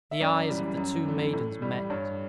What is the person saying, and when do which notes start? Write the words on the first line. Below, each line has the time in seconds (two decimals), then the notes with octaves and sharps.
The eyes of the two maidens met.
0.11 E5
0.21 F#2 D5
0.49 E3 G3
0.77 F#2
1.05 E3 A3
1.33 A2
1.62 G3
1.90 G2 C#5